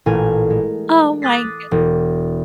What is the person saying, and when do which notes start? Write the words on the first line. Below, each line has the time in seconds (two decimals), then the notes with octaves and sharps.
Oh my goodn
0.06 A1 A#2 A#4 G#5
0.50 G#3
1.22 D6 D#6 F#6 A6 B6 C7
1.71 E1